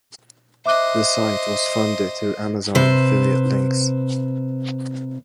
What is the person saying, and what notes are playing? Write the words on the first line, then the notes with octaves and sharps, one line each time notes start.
The site was funded through Amazon affiliate links.
C5 D#5 E5 D6 F#6
C3 B4 C5